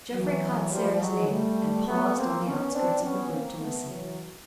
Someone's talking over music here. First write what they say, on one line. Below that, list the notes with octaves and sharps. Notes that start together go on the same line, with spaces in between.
Jeffrey caught Sara's name and paused on the outskirts of the group to listen.
E3 F#3
F3 G3
F#3 G#3
G3 A3
A3 B3
A#3 C4
B3 C#4
C4 D4
B3 C#4
A#3 C4
A3 B3
E3 F#3